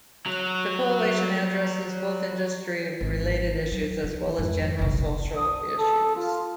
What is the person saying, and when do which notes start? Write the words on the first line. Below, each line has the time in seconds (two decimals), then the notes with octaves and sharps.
The coalition addresses both industry related issues, as well as general social issues.
0.26 F#3 F#4
3.01 G#1
3.72 F#3
4.04 F3
4.38 F2 G#2
4.79 F#1 B1
5.37 D#6
5.78 A4
6.15 F4